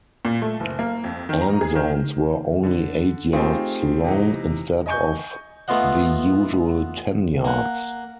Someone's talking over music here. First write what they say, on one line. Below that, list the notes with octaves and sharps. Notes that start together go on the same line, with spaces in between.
End zones were only eight yards long instead of the usual ten yards.
A#2
A3
F#1
A#3
F2
D#3
A#5
G#4
D#3
D3
A3 C4 D#4 F4 G4 G#4
C3 E3 D#4
D#5 G#5 C#6 G6
A3 B3 F4 D#5 F#5
A#3 F#5